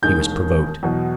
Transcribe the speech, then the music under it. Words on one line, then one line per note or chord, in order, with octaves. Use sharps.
He was provoked.
E1 D#2 D#3 G#3 G6
E2 B2 F#3